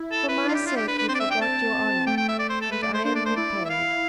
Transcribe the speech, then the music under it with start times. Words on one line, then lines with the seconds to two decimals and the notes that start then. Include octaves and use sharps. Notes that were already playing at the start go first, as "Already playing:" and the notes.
For my sake you forgot your honour, and I am repaid.
Already playing: E4
0.12 A4
0.28 B4
0.44 D4 F4
0.54 G4
0.66 F4
0.76 G4
0.88 B4
0.98 B4
1.08 C4 C5
1.15 D5
1.20 E5
1.31 G5
1.42 A5
2.06 A3 G5
2.17 G5
2.29 E5
2.39 D5
2.50 C5
2.61 A4
2.71 A3 B4
2.82 D5
2.94 C5
3.04 D4 C5
3.15 D5
3.26 C5
3.36 E4 D5
3.65 E5
3.69 F5